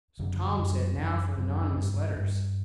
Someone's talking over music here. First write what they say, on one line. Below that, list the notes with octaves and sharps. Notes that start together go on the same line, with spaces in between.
So Tom said, now for the nonnamous letters.
F#2 D3
G3
F#2
F#3
F#2 F3
F#2
G2
G2